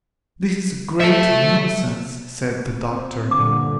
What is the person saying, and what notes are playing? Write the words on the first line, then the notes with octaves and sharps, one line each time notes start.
"This is a great nuisance," said the Doctor.
A4 E5
C4
G2 A#2 D3 D6